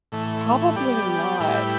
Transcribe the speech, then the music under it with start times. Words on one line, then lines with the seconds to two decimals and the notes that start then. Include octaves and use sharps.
Probably not.
0.12 A2 E3 A3
0.76 G3 B3 G4 D5
1.40 A2 G3 E4 G4 B4